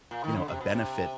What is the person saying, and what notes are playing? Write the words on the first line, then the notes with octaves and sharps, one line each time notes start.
you know, a benefit
A#2
D#3
D3
C3
B2
C3